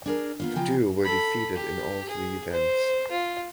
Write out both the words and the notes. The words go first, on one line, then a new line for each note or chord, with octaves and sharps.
The duo were defeated in all three events.
D4 G#4 A#4
A#3 B3 F4
C#3 F3 F4 G5 G#5 A#5
A4 B5
G4
G#4
C5
F4